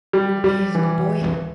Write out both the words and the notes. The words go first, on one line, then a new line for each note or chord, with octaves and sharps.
Abhay is a good boy.
G3
G3
E3